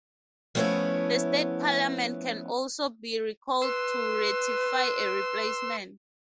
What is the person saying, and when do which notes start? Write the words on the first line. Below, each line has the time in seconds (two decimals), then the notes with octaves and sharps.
The State Parliament can also be recalled to ratify a replacement.
0.55 F3 A3 B3 C#4 E4 C#5
3.62 B4 C6 E6